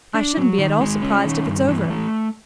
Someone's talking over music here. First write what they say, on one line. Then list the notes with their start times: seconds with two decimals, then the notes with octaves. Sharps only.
"I shouldn't be at all surprised if it's over."
0.14 D4
0.37 F#3
0.58 D#3
0.81 G#3
1.02 C#4
1.25 D#3
1.46 G2
1.69 E3
1.90 A3